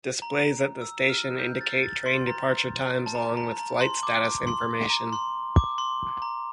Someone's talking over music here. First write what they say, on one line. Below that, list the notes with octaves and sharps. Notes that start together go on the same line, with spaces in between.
Displays at the station indicate train departure times along with flight status information.
A#5
E6
F6
G6
A6
A6
C6
A#5
A5
A#5
A#5
A#5
C6
D6
C6
A#5
C6
D6
C6
A#5